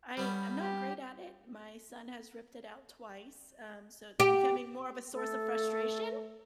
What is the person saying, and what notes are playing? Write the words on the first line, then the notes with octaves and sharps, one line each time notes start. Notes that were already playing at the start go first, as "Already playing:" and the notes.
I I'm not great at it. My son has ripped it out twice, um, so it's becoming more of a source of frustration,
G3 B3 C#4
G4
G4
A3 A4